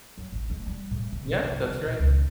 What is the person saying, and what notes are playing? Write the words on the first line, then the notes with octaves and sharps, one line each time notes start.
Yeah, that's right.
F#3
A1
G#3
G3
A2
D3
A#1
C2
G2
D3
A#2
C#2